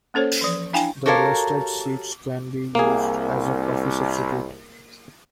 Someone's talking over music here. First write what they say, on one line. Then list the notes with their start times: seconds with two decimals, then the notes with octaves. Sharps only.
The roasted seeds can be used as a coffee substitute.
0.14 A#3 C#4 A4 C5 C#5
0.41 E3 F3
0.73 D4 E4 F5 G5 G#5
1.06 F#4 G4 A4 A#4 C#5 F5
2.75 C2 A#3 G#4